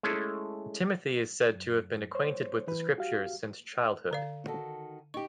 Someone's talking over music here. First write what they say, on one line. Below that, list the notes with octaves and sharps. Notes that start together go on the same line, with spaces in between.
Timothy is said to have been acquainted with the Scriptures since childhood.
G#3 A3 C#4 E4 G#4 A4
F#2
C5 C#5
E3 B4
F#4 G4 F5
D3 D5 F5
D#3 F#4 A4
D#4 G4 C#6